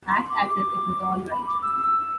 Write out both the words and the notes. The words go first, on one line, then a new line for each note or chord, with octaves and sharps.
Act as if it was all right!
C6
D6
D6
B5
D6
E6
E6